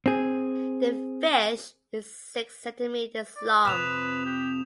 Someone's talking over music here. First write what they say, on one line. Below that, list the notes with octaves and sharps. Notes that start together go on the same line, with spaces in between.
The fish is six centimeters long.
C4 G#4
D5
F2 C3 B4 D#6 E7 F7
G4